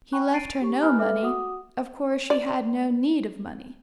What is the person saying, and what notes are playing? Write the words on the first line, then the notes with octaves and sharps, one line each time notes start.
He left her no money; of course she had no need of money.
G5 G#5 B5 C#6 F#6
A6 C7 D7 D#7
G4 C#6
B4 G#5 A#5 B5 F6 F#6
A4 B4 E5 D6 F6
F#4 F#5 D6 D#6
D5